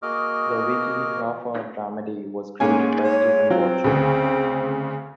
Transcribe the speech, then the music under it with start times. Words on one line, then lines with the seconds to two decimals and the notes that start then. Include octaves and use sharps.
The weekly, half-hour dramedy was created by Steven Bochco.
0.02 A#3 F#4 G#4 D#5 D6 F6
2.60 G#2 A#3 C#4 G#5
3.05 C#5
3.50 F#3 C4 F4
3.84 D2 C#3